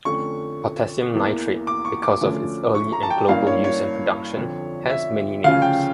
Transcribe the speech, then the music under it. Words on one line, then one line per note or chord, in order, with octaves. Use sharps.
Potassium nitrate, because of its early and global use and production, has many names.
F2 D3 A3 C#4 C#6
E2 E3 A#3
D6
C#6
D6
D2 D3 F3 A3 C#4
C#6
A#5
A5
G5
G2 E3 A#3 C#4 F5
C#5
C#5
F2 D3 F3
E5
D2 C#3 F3 C#4 F5
G5